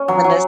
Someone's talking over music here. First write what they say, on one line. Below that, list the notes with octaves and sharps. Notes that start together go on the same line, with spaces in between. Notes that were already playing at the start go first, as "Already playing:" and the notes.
When those
Already playing: C#4
F#3
F#3